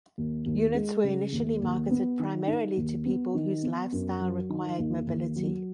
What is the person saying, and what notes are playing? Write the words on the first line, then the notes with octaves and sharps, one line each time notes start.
Units were initially marketed primarily to people whose lifestyle required mobility.
D#2
D#2
G#3
C#3
D#2
D#2
B3
D#3
D#4
D#2
B3
D#3
B3
F#2
F#3
D#3
D#2
D#2
F#3